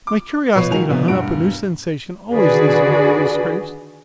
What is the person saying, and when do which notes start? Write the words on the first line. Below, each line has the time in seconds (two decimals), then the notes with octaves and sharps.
My curiosity to hunt up a new sensation always leads me into these scrapes.
0.07 D6
0.55 B2 F3 B4 C#5 C#6 C7
0.70 C#2 D#3 F#4 A#4 G#5 F7
0.89 B2 D3 F3 B3
1.08 E1 G2 F#5 D7
2.33 D3 D#3 F#4 G#4 B4 D5